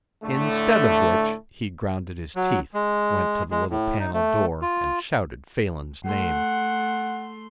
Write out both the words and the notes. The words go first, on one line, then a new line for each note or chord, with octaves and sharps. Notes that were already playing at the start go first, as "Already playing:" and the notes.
Instead of which--he ground his teeth, went to the little panel door and shouted Phelan's name.
A2 D3 A3
F#3
G#3
G#3
A2
D#4
A3
F4
A3 F#5 C6